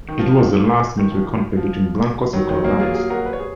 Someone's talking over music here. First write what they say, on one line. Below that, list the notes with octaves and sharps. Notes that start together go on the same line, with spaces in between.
It was the last military conflict between Blancos and Colorados.
D#3
F3
D#3
F3
F3
D#3 F#3
D#3 F#3
F#3 A#3
F4 G#4
F4 G#4
F#4 A#4
B4
C#5
G#4